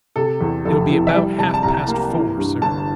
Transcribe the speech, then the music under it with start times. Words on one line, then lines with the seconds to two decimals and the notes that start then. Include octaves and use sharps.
"It'll be about half-past four, sir."
0.16 C3 A4
0.41 E2
0.65 F1 A4
0.90 E3
1.07 E5
1.14 G3 D5
1.39 C3 A5
1.54 A5
1.63 C2 A#5
1.88 A#3
2.13 E3
2.38 G2
2.62 G1 A5